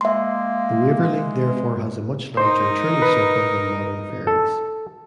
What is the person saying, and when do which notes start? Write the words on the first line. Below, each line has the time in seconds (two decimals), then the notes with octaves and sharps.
The "Waverley" therefore has a much larger turning circle than modern ferries.
0.01 G#3 A#3 E5 C6
2.37 D#4 A#4 C5
3.02 B4
4.27 A4